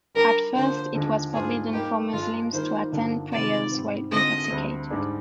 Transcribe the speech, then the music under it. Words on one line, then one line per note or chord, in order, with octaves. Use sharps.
At first, it was forbidden for Muslims to attend prayers while intoxicated.
G3 D4 G4 A#4
D3 F3 A#3 D4 C5
D#2 D3 F3 G#3
G#2 G3 D4 F4 G#4 C5
G3 A#3 D#4 G4
G2 F3 G#3 F4
D#3 G3 A#3 F4 C5
G2 D3 F3 A#3 D4
C3 D#3 G3 C4 F4 D5
G#2 G3 C4
D3 G#3 C4 F4 G#4 D#5
D2 D3 G3 C4
G#2 G3 D4 G#4 D5